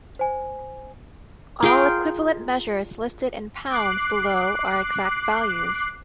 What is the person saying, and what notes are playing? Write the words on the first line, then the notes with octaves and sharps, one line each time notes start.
All equivalent measures listed in pounds below are exact values.
C5 G#5
F4 G#4 A#4 G5
D6 F#6 C7